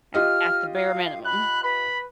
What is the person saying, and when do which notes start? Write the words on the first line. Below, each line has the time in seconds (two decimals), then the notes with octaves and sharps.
at at the bare minimum.
0.14 F4 G4 D#5 F6
0.74 F5
1.25 B5 F#6
1.63 B4 B5